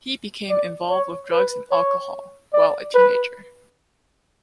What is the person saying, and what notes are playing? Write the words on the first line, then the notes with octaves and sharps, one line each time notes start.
He became involved with drugs and alcohol while a teenager.
D5
C#5
B4
C#5
D5
B4